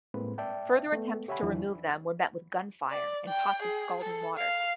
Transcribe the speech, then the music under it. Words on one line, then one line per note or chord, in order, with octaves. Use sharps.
Further attempts to remove them were met with gunfire and pots of scalding water.
A2 G#3 A#3 C4 B4
D5 E5 G5 A5
A3 B3
G4 C#5 E5 F#5 G#5 B5
E2 D#3 F3 D4 E4
D5
G5
G#4
A4
F5